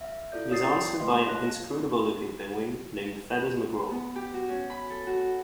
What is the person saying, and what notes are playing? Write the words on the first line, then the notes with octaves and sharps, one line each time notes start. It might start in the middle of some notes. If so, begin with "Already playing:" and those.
He is answered by an inscrutable looking penguin named Feathers McGraw.
E5 F5
E4 F4 A4 D5 G6
C#5 D5 F5 D#6 A6 C7
G5
A3 B4 D#5 F5 C6
C#5 F5 A5 F#6 A#6
B3
G4
F#4
C#4
B5
A4
F#4